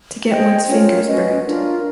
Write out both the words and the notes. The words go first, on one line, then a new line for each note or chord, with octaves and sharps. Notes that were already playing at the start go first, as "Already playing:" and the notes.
To get one’s fingers burnt.
G#4 C5 D#5 G5
C#4 F4 A#4 C#5
C#4 F#4 B4 D#5
D4 F4 A#4